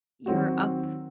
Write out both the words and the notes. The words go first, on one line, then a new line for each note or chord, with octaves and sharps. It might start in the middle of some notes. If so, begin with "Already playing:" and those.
you're up
D#3 F#3 C4 F#4